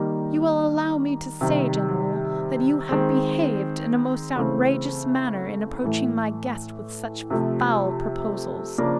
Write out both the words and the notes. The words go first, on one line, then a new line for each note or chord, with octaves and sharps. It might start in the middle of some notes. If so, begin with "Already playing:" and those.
You will allow me to say, general, that you have behaved in a most outrageous manner in approaching my guest with such foul proposals.
Already playing: D#3 G3 A#3 D#4
C3 D#3 G3
D#3 G#3 C4
C#3 E3 A3 C4
A2 E3 A3
C3 F3 A3
C#3 F3 A#3 D4